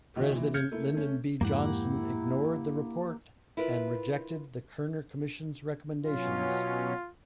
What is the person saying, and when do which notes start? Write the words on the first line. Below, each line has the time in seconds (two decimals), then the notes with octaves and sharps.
President Lyndon B. Johnson ignored the report and rejected the Kerner Commission's recommendations.
0.16 C#2 D#3 F#4 E5
0.31 A#2 E3
0.54 F6 G6 G#6 C#7
0.72 A3 A#3 E4
0.95 A3 C#4
1.41 F2 G#2 A#3 E4 G4 F#5
3.57 E4 F4 A#4 B4
6.06 B2 F#3 C#4 F4